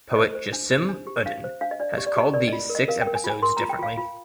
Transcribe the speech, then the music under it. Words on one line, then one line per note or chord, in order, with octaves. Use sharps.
Poet Jasim Uddin has called these six episodes differently.
C5 D#5
C5
D4
C5
D4
G4
D4 F5
C5
D4 F5
D#5
D4 D5
G4 D#5
D5
G4 D#5
A#4 D5
D#5
F4
A#4
D#5
A#4 F5
G5
A#4
G#5
F4
G#5
A#4 C6
F4 A#5
G5
F4 F5
F4